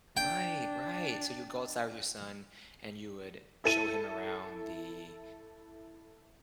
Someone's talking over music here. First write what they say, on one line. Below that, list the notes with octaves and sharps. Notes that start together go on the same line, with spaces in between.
Right. Right. So you'd go outside with your son, and you would show him around the
D4 G5
E4 A4 D#7